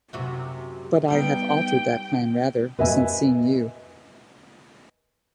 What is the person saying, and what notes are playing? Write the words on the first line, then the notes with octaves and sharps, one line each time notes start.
But I have altered that plan rather since seeing you.
F#2 C3 F#4
G3 B3 D#4 G5
B4 D#5 E5 G#5